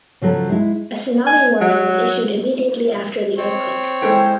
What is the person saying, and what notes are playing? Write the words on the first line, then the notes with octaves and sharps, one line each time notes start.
A tsunami warning was issued immediately after the earthquake.
C#3 F3 F#3 A4
G#3 E4
G#5
F#3
C4 C#5
G#3 E4 A4 C5 G5